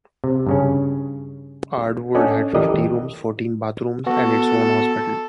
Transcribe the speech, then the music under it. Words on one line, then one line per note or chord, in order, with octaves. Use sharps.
Ardwold had fifty rooms, fourteen bathrooms, and its own hospital.
C3
G2 C#3 C#4
C#4 D4 A4 D5 D#5 F#5
E3 G4 A4 A#4 D5 D#5
B3 F#4 A4